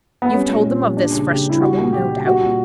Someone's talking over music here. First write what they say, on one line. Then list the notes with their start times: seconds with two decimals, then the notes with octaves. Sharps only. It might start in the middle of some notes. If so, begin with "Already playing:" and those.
"You've told them of this fresh trouble, no doubt."
0.22 B3
0.33 G3 C#4
0.49 A#2
0.66 A#2
0.81 G3
0.97 G3 D4
1.13 C#3
1.29 C#3 G4
1.45 G3 E4
1.61 G3 F#4
1.77 A#2
1.93 A#2 G4
2.09 G3
2.26 G3 F#4
2.41 A#2